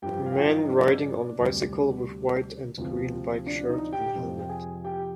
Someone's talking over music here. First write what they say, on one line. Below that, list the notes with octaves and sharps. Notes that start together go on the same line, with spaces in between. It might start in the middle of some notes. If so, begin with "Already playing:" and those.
Man riding on bicycle with white and green bike shirt and helmet.
G2 F3 G4 G5
F5
G5
F4 F5
D#4 D#5
D4 D5
D2 C3 G3
D2 C3 F3
D4 D5
D#4 D#5
G4 G5
F2 C3 F3
G5
G#4 G#5
G4 G5